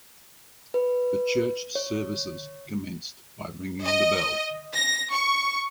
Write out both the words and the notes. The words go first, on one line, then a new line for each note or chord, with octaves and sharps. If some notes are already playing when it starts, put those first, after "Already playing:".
The church services commenced by ringing the bell.
B4
C#5
D#5
A#6
C#6